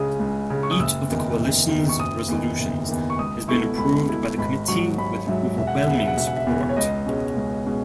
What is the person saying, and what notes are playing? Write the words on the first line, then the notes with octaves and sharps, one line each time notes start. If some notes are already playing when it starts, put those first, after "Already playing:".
Each of the Coalition's resolutions has been approved by the committee with overwhelming support.
Already playing: C#2 C#3 G#3 D#6
C#2
C#3 G#3
C#6
D#6
F#1 E6
E2 D#3
F#1
E2 D#3
C#6
F#1 D#6
E2 D#3
F#1
E2 D#3
C#6
C#2 D#6
B2 A3 E4 C#6
C#2 B5
B2 A3 E4
G#1 B5
G#2 F#3 C#6
G#1 B5
G#2 F#3 E5
E1 E5
F#5
E5
E2 C#3 F#5
E5
F#5
E1 E5
F#5
E5
E2 C#3
C#5
C#2 D#5
B2 G#3 C#4
C#2
B2 G#3 C#4